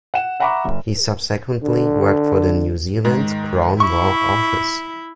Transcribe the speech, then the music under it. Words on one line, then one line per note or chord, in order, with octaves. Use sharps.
He subsequently worked for the New Zealand Crown Law Office.
F#5 E7
E5 F#5 A#5 B5 C#6 D6
F#1
D3
G#2 D#3
E4 C#6